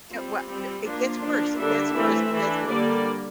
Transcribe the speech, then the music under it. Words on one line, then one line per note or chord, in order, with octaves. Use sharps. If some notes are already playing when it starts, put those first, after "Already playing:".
so wha no, it gets worse, It gets worse, It gets worse,
G3 C4 F4
G3 C4
F3 A#3 D4 F4
F3 A#3 D4
D3 G3 A#3 D4 E5
E3 A3 C4
E3 A3 D4
D3 G3 A#3 D5